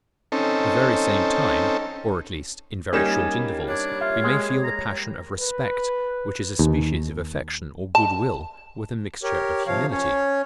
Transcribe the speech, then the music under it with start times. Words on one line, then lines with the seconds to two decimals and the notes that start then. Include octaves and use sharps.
At the very same time, or at least in very short intervals, we may feel the passion of respect, which is a species of affection or good-will, with a mixture of humility.
0.32 C4 C#4 D#4 A4
2.93 G3 A#3 C#4 D#4 G#5 E7
3.68 D4 C#5
4.01 F4 E5
4.24 G#3
4.64 A#5
5.40 B4
6.59 D#2
7.95 A5
9.23 G4 A#4 C#5
9.67 C3 F3 C#5 F5
9.91 C#4 C#5